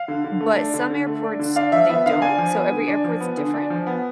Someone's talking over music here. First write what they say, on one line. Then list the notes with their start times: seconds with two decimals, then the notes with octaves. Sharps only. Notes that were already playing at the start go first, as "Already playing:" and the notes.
but some airports, they don't, so every airport's different,
Already playing: F5
0.08 D3
0.24 D3
0.41 A3
0.58 D4
0.74 D3
0.90 D3
1.07 A3
1.23 D4
1.39 D3
1.56 D4 F5
1.72 F3 E5
1.89 B3 E5
2.06 D3 F5
2.22 D4 G#5
2.38 F3
2.55 B3
2.72 D3
2.88 D4
3.04 F3
3.20 B3
3.37 D3
3.54 D4
3.70 F3
3.87 B3